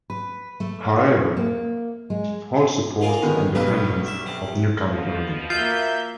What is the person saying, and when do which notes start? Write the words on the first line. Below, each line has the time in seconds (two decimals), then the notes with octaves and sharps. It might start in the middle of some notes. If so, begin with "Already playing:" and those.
However, all support the independence of New Caledonia.
0.10 B4
0.60 A3
1.37 A#3
2.10 G#3
3.01 A#3 F4 G#4
3.22 D3 D#3 B3
3.55 B1 G2 B4 D#5
4.06 E5
4.26 C3
4.83 B2 F3
5.50 A#3 F4 E5 G6